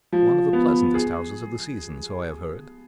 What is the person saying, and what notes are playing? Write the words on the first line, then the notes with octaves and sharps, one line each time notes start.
One of the pleasantest houses of the season, so I have heard.
F3
B3
G#4